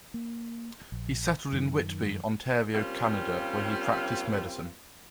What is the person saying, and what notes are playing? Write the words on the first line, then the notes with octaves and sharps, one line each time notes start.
He settled in Whitby, Ontario, Canada, where he practiced medicine.
A#3
A#1
F#2 D#3
G3 A#3 C4 C#4 F4